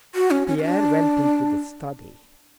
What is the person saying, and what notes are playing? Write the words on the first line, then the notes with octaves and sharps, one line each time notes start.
Pierre went into the study.
F#4
C#4
C#4
C#4
D4